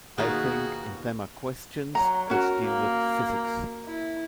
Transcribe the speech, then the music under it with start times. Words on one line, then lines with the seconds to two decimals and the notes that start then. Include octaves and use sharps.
I think in them are questions that deal with physics.
0.18 D#2 B2 F4 F#4 G#4 A#5
1.95 F#3 A#5
2.30 C#4 F#4 A#4
2.64 A#3
3.85 E4